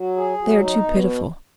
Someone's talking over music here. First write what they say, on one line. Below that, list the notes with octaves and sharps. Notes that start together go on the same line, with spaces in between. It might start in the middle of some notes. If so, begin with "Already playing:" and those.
They are too pitiful.
Already playing: F#3
G#4
F#3
D#4
B2